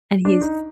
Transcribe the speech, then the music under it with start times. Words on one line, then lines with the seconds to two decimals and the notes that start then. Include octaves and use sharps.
and he's
0.25 D4
0.41 D#4